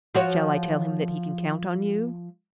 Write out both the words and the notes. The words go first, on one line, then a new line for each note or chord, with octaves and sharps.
"Shall I tell him that he can count on you?"
F3 F#4 C#5